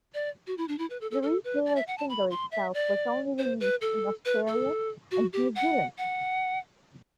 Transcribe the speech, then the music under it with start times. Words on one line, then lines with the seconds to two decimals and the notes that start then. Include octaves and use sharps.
The retail single itself was only released in Australia and New Zealand.
0.14 D5
0.47 F#4
0.58 E4
0.68 D4
0.78 E4
0.90 B4
1.01 A4
1.11 A4
1.23 A4
1.44 B4
1.66 D5
1.76 E5
1.87 F#5
1.98 A5
2.09 B5
2.31 C6
2.52 E5
2.74 D5
3.38 C5
3.60 B4
3.81 A4
4.25 B4
4.47 A4
5.11 F#4
5.33 G4
5.55 F#5
5.98 F#5